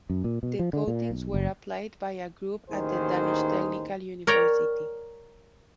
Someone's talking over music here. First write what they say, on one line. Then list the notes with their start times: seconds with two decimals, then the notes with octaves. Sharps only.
The coatings were applied by a group at the Danish Technical University.
0.10 F#2
0.24 A#2
0.43 B2
0.59 F3
0.73 D3
0.88 A#2
1.10 B1
1.34 F#1
2.70 A1 D#2 D#3 D#4 G#4 C5
4.27 A#4 C#5 D5 G5 A#5